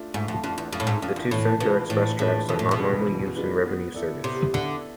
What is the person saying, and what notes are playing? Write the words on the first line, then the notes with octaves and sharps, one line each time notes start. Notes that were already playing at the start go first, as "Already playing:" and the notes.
The two center express tracks are not normally used in revenue service.
Already playing: A3 D4 F4
G#2 A3
F2
F2 D4 F4
E2
F2 A3
A2
G#2
F2 D4 F4
E2
A2 E3
B2 G#3 D4 F4 B4
A2 E3
A2 G#3 D4 F4 B4
B2 E3
A2
B2
G#3 D4 F4 B4
E3
G#3 D4 F4 B4
B3
E4 A4 D5
C3 B3
D3 E4 A4 D5